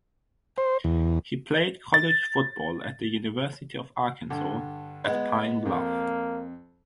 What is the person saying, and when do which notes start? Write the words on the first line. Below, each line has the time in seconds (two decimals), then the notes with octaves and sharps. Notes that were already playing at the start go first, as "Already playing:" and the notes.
He played college football at the University of Arkansas at Pine Bluff.
0.58 C5
0.84 E2
1.94 A6
4.30 G2 D3
5.04 G#3 B3
5.65 F2 A#3